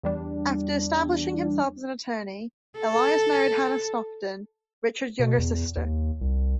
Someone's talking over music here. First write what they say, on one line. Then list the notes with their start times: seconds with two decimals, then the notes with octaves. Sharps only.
After establishing himself as an attorney, Elias married Hannah Stockton, Richard's younger sister.
0.03 E2 G3 D4
2.79 A4
5.19 B2
5.38 E2
5.77 D#2
6.21 C2